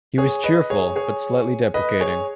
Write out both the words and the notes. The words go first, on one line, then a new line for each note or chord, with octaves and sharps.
He was cheerful, but slightly deprecating.
G#4 C#5
B4 D#5
G#4 C#5
G#4 C#5
B4 D#5
G#4 C#5